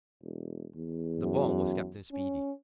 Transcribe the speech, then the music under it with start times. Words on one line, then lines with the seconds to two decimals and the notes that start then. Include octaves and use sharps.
The bomb was Captain Speedy.
0.22 E1
0.75 E2
1.20 F#2
2.12 C#4